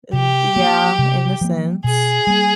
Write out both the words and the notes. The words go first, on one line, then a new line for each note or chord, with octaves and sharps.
th yeah, in a sense.
C3 G4
F3 A#3
C3
F3 A#3
B2 G#4
G3 A#3